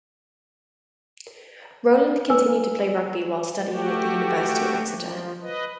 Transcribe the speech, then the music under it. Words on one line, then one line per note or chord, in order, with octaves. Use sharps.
Rowland continued to play rugby while studying at the University of Exeter.
B4 G#5 E6
A3 F#4 G4
F3
B4 D#5